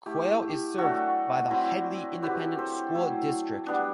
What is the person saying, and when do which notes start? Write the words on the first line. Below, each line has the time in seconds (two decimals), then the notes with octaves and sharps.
Quail is served by the Hedley Independent School District.
0.06 A3 E4 G4
0.42 G4
0.78 F#3 A3 D4 F#4 A4
1.50 F#3 C4 E4
2.22 F#3 C4 E4 G4 B4
2.59 A4 C5
2.95 F#3 A3 E4
3.67 G3 B3 D4